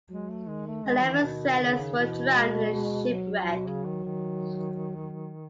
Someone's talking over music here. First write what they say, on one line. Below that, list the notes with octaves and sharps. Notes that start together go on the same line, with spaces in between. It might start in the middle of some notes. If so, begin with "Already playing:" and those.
Eleven sailors were drowned in the shipwreck.
F#3 G#3
A3
D#3 G#3
A3
D#3 G#3
E3
B2
C#3
B2 E3
G#3
G#3
F#3
B2
C#3
D#3
D#3
F#3